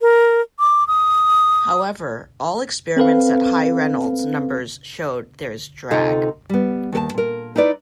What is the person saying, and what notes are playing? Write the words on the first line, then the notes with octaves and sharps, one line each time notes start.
However, all experiments at high Reynolds numbers showed there is drag.
A#4
D6
D#6
C4 A4 B4 F5
D2 C3 D#4 F4 A4 D#5
G3 B3
D#2 A4 A5
A#2 A#4
D#4 E4 B4 D5